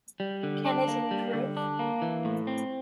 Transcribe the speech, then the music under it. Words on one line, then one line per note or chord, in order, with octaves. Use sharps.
Can it improve?
G3
D3
D4
A#3
G3
D3
D4
A#3
E3
A2
C4